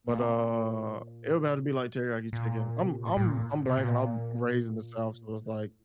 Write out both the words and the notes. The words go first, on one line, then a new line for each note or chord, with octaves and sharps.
but, uh, it would have to be like teriyaki chicken, I'm I'm I'm black and I'm raised in the South, so it's like,
A#2
C3
A#2
A2
A#2
A#2
C3
A#2
A2
A2
A#2
C3
A#2
A2